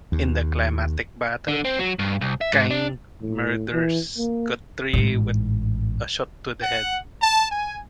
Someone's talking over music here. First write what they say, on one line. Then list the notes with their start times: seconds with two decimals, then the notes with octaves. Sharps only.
In the climatic battle, Kang murders Guthrie with a shot to the head.
0.12 D#2
1.48 D3
1.65 C4
1.79 F#3
1.99 G2
2.21 C2
2.41 E5
2.53 G#2
2.70 D4
3.22 A2
3.72 E3
4.17 A#3
4.93 A1 G#2
6.62 F#5
7.22 A5
7.51 G#5